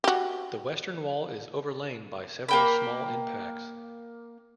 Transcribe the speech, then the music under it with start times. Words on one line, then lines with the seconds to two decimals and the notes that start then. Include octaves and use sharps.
The western wall is overlain by several small impacts.
0.04 F#4 G4
2.49 A#3 G5 B5